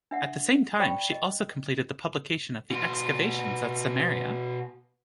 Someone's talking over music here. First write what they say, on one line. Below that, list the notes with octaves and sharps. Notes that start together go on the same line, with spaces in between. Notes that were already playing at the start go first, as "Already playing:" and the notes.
At the same time she also completed the publication of the excavations at Samaria.
D4 E5 F#5
C5 D5 G5 B5 C#6
D#5
B2 F4